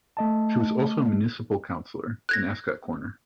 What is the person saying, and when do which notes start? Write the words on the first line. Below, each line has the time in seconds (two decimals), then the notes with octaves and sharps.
She was also a municipal councilor in Ascot Corner.
0.17 A3 D#5 A5
2.29 F#6 G#6 A#6